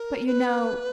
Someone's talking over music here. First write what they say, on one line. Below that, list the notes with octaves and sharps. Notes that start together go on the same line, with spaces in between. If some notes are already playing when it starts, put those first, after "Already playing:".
But you know....
Already playing: A#4
B4